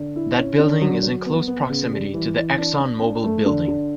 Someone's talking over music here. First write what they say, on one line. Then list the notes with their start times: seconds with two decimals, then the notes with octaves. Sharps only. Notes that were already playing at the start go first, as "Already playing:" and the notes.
That building is in close proximity to the ExxonMobil Building.
Already playing: D3
0.16 E4
0.38 C#4
0.59 D3
0.81 F#3
1.03 F#3
1.26 B3
1.48 B3
1.70 C#3
1.91 G3
2.14 E3
2.35 E3
2.58 D4
2.80 D4
3.02 D4
3.24 A3
3.46 D3
3.68 D3